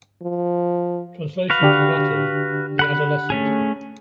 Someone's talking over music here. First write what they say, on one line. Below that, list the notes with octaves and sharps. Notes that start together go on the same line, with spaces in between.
Translation from Latin: “the adolescent”.
F3
F#4 B4 F5
D3 D4 G4
F#5 B5 F#6
A3 C#4 G#4